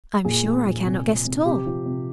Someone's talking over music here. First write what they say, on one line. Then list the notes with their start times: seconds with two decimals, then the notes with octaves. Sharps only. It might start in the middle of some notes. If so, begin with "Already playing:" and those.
"I am sure I cannot guess at all."
0.25 A#2 G#4
0.44 F3
0.65 A#2
0.85 C3
1.05 F3
1.25 C3
1.45 C3 G4
1.66 F3
1.86 C3